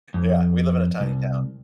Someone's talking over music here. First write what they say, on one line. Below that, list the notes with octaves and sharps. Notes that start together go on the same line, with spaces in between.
yeah, we live in a tiny town.
F2
C2